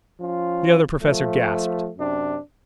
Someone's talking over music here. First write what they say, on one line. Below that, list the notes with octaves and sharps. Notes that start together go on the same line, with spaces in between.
The Other Professor gasped.
F3 C#4 F4
F3 A3
F#2 C3 D4